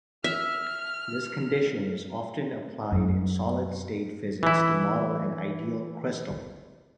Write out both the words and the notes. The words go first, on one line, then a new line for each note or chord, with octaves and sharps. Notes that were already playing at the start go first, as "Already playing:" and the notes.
This condition is often applied in solid state physics to model an ideal crystal.
E5 F6
F#2
E3 E4